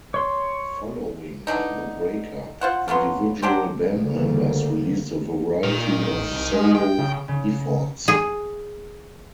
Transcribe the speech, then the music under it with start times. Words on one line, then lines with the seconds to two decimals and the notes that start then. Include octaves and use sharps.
Following the breakup, individual band members released a variety of solo efforts.
0.14 C#5 C6
1.47 D3 E3 D4 D#4
2.61 F4 C5 F#5
2.88 F3 F#3 B3 C6
3.42 F#3 D4 G4 C5
3.94 D2 C#3 G3 A#3
5.64 A#2 D#3
6.11 A1
6.31 C2
6.51 G#3
6.75 G5
6.98 C#3
7.28 C#3
8.08 G#4